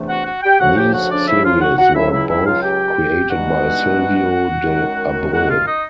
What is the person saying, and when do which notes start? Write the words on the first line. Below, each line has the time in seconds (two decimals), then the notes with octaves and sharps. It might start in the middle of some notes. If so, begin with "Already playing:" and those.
These series were both created by Silvio de Abreu.
Already playing: E2 C3 E3 A3 D4
0.09 F#4 F#5
0.26 F#4 F#5
0.43 G4 G5
0.60 D2 C#3 F3 F#4 F#5
0.77 G4 G5
0.93 F#4 F#5
1.11 D4 D5
1.28 E4 E5
1.45 F4 F5
1.61 F#4 F#5
1.78 F#4 F#5
1.95 C#2 C#3 F#3 E4 E5
2.12 E4 E5
2.29 E4 E5
2.46 F4 F5
2.63 G4 G5
3.30 G2 E3 G#3 B3 D#4 F#4 F#5
4.65 F#2 D#3 G#3
5.33 F#4 F#5
5.50 F4 F5
5.67 D#4 D#5